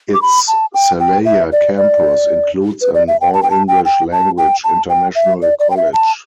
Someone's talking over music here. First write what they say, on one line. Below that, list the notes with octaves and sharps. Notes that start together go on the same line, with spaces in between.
Its Salaya campus includes an all-English language international college.
D6
B5
A5
G5
G5
E5
D5
D5
B4
D5
E5
G5
A5
G5
A5
G5
G5
A5
G5
A5
G5
E5
D5
D5
G5
E5
A5